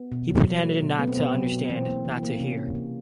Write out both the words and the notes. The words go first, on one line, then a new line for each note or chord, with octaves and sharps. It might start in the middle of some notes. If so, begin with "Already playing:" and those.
He pretended not to understand, not to hear.
Already playing: B3
B2
F#3
F#3
A3
B2
A3 B3
C4
B2 B3
F#3
B2
E3 C4
A#3
E3
A#3
C3 C#4
A#3
A#3